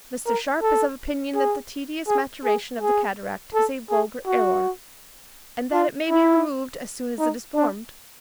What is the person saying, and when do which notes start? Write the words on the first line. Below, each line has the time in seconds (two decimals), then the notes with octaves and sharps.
Mr. Sharpe is of opinion that the tedious maturation of the cataract is a vulgar errour, and that it may be removed as soon as it is formed.
0.26 A#4
0.62 A4
1.35 G#4
2.08 G#4
2.45 G#4
2.81 G#4
3.54 A4
3.90 G#4
4.27 F#4
5.73 F4
6.09 E4
7.19 D#4
7.56 D4